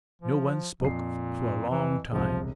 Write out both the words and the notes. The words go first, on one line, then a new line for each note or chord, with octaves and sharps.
No one spoke for a long time.
F3
F2 A#2 C7
E3
E1 C2 F3